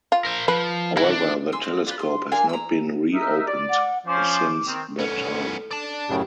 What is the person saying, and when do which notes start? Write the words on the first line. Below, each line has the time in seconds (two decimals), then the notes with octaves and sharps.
However the telescope has not been reopened since that time.
0.12 F4
0.25 A#4 C5
0.48 F3 B4
0.97 E3 E4 F#4
1.10 D4
1.52 G#5 C6 E6
1.64 C4
1.87 D4 F4 G4 B4
1.99 C6
2.32 D4 F4 A#4 G#5
2.49 A#5 E6
3.13 D#4 A#4 E5
3.47 D5
3.69 F#5
4.07 F3 C#4 C5 D6
4.66 D#3 C4
4.99 B3 C#4 A4
5.71 D5 A5
6.09 F#2 A2 C#3 G4